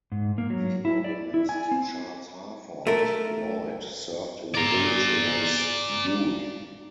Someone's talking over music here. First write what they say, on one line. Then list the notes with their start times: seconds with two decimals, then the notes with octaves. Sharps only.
The organist Charles Harford Lloyd served in the village in his youth.
0.12 G#2
0.38 A#3
0.50 F#3
0.85 E4
1.04 D5
1.34 E4
1.49 G#5
1.71 C4
2.87 A3 A#4
4.55 D5 A#5